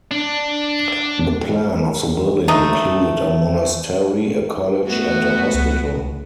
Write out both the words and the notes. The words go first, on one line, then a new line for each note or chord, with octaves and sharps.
The plan of the building included a monastery, a college, and a hospital.
D4
A3 D4 D#4
A3 B3 F#4
C#2